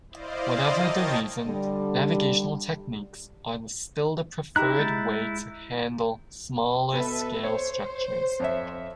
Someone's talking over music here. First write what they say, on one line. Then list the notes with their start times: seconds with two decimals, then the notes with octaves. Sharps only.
Whatever the reason, navigational techniques are still the preferred way to handle smaller-scale structures.
0.10 E4 C5 D5 D#5 F5
0.76 A#4 C#5 D#5 G5 A5 A6
1.46 D3 G3
4.56 D#4 E4 G4 A#5 F#6
4.79 G#3 G6 A6
6.93 B2 A4 B4 E5
7.43 C5 C#5
8.40 F2 C#5 E5